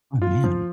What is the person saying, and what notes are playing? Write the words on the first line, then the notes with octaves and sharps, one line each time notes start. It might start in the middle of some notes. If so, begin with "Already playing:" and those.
Oh man.
F4
F3